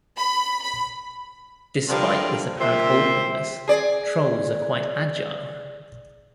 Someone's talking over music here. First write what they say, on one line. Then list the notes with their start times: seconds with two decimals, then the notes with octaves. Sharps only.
Despite this apparent awkwardness, trolls are quite agile.
0.17 B5
0.63 B5
1.89 G2 D3 F3 G3 A#4 C6
2.59 A#2 G4 C5 E5
3.68 G#4 D5